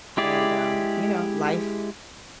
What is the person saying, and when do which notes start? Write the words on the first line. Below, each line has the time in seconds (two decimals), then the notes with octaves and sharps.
And, um, you know, life
0.17 G#3 E4 G4 G#4 D5